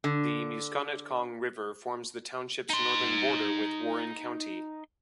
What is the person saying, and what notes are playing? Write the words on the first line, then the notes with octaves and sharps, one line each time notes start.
The Musconetcong River forms the township's northern border with Warren County.
D3
D#4 C6